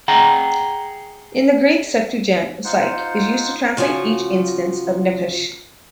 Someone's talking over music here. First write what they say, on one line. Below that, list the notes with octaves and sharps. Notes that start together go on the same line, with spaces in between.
In the Greek Septuagent psyche is used to translate each instance of nephesh.
G#4 F#5 G5 A#5
D#4 F4 C5 F#5
C#3 F3 F4 F#4